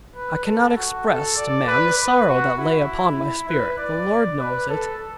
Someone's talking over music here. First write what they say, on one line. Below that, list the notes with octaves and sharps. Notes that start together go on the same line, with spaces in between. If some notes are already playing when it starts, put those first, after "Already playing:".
I cannot express to man the sorrow that lay upon my spirit; the Lord knows it.
B4
A4
F#4
A4
D5
B4
B4
F#4
E4
E4
B4
D5
B4
A4